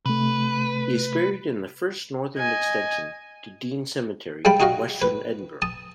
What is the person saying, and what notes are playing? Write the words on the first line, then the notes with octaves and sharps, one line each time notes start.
He is buried in the first northern extension to Dean Cemetery in western Edinburgh.
C3 A3 B4
D#5 G#5
G3 G#3 F5 G5 A5 B5
D#4 F#4 G4 D#5 F5
B4
A5 D#6